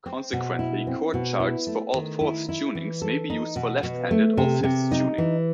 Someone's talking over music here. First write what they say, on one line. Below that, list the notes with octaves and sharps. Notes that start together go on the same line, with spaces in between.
Consequently, chord charts for all-fourths tunings may be used for left-handed all-fifths tuning.
C4
B2
E4
C4
B2
E4
A3
D#3
E4
E4
E3
A4
D#4
B2
B2
A3
C3
C3
D#4
E3